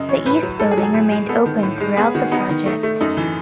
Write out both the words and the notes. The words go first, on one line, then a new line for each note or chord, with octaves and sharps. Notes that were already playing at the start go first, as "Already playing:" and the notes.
The East Building remained open throughout the project.
Already playing: F#2 C#3 D#5
E3 C#5
A2 B4
F#3
G#2 A4
G#4
F#3
G#4
A2
G#3
B3 A4
D#3
A2
G#3
B3 G#4
D#3 F#4
B3 D#4
D#3
A3
A3
F#2 D#4
E3